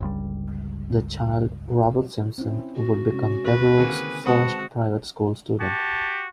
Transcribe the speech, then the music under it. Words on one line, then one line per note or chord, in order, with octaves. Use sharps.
The child, Robert Simpson, would become Devereux's first private school student.
G1 C#2 G3
C4 C#4 E4
F#4
C3 G#3 C#4
D1 B4
D3 D#3 A#3 C4 F#4 G#4 G#5
G#3 C4 F#4 B4 C5 F#5 A5 D#6
F#4 G4 A5